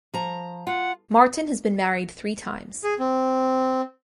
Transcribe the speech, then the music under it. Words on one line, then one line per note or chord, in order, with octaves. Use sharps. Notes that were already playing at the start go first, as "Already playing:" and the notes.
Marton has been married three times.
F3 A#5
F4 F#5
G#4
C4